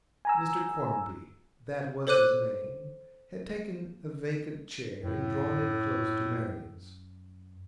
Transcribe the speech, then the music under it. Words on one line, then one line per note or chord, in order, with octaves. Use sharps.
Mr Quarmby--that was his name--had taken a vacant chair and drawn it close to Marian's.
G#5 A#5 E6
A4 C5 C#5 D6 F#6 D#7
F#2 A2